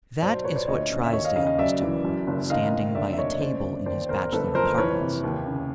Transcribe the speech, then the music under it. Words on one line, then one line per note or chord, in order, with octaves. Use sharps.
That is what Trysdale was doing, standing by a table in his bachelor apartments.
B1 C5 D5
A#2 B4 C#5
C5 D5
D2 C#5 D#5
C#3
E5
D#2 C#5 D#5
D#5 F5
C#3 D#5 F5
D#5 F5
F#2 D5 E5
E3
F#2
F#1
D#3 D#5 F5
F#1
D3 D5 E5
E5
F1 C#5 D#5
C#3 C5 D5
G1
D#2 C5 D5
E1 A#4 C5
F#1 A4 B4
F2 A#4 C5
E3 B4 C#5
C3
D#2
C#3